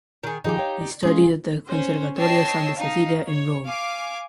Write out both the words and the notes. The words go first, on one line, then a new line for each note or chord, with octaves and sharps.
He studied at the Conservatorio Santa Cecilia in Rome.
D#3 G#4
D#3 F3 D#4 G4 G#4
C#5 F5 G5
D5
G#3 C#4 F4 G#4
C#4 C5
C#5 D#5 G5 A5 E6 C7
D#4 F5
C#5
F5 G#5 D6